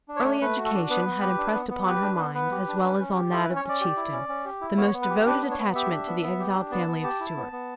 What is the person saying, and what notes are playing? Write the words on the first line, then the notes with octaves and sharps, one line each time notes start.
Early education had impressed upon her mind, as well as on that of the Chieftain, the most devoted attachment to the exiled family of Stuart.
D4
C#5
A3
A3 B4
F#4
A4
D4
B3 B4
B3
G4
D4
B3
B3
G4 B4
D4
B3
B3 B4
G4
D4
C#4
C#4
G4
E4 A4
B4
C#4
C#5
C#4 D5
G4
E4
C#4
C#4
G4
E4
B3 C#5
B3
B4
G4
D4 B4
B3
C#5
B3
G4 E5
D4
B3
B3
G4
D4
B3 A5
B3
G4
E4
B3
B3